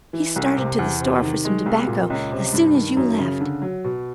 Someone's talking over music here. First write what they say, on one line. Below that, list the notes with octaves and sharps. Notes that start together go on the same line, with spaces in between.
He started to the store for some tobacco as soon as you left.
E3
C2
C3
E2
C3
D#3
G#3
C2
A#2
C#2
C3
G2
D#3
F#2
C#3
D3
F#3
B2